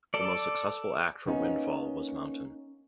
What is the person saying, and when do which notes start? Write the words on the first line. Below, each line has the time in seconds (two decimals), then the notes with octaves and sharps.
The most successful act for Windfall was Mountain.
0.14 A4 D5
1.26 A#3 B3 C#4 D#4